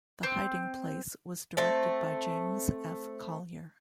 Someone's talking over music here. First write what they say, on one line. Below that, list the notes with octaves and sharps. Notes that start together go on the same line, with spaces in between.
"The Hiding Place" was directed by James F. Collier.
C4
A3 C4 A5